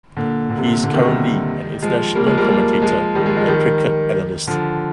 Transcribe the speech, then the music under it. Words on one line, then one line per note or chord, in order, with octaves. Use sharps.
He is currently an international commentator and cricket analyst.
A#2 D3
A#2 D3
C3
A#2
A#2 D3
C3 D#3
D#3 G3
F3 G#3
G3 A#3
F3 G#3
G3 A#3
F3 G#3
F3 G#3
D#3 G3
F3 G#3
F3 G#3
D#3 G3
D3 F3